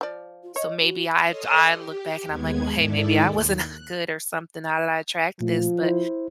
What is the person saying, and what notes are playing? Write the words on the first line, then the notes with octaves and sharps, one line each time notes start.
so maybe I've to I look back and I'm like, "Well, hey, maybe I wasn't good or something. How did I attract this?" But
F3 D5
F4
C#5 D#5
F#4
A4 C#5 D#5 C6 D#6 F6
G4
D#2 G#3 B3 G#6
G#2 D#3 E4 A4 D5
D#2
F#6
A#2 F3 A3
E4 C5